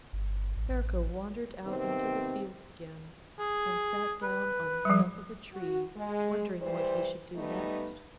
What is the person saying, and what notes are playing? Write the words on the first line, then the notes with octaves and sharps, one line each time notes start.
Ferko wandered out into the fields again, and sat down on the stump of a tree wondering what he should do next.
G1
A1
A1
C3 D#3 B3 C4
G#4
B4
F3 G3
F#4
G#3
E3 G3 C5
G3 A3 B3 D#4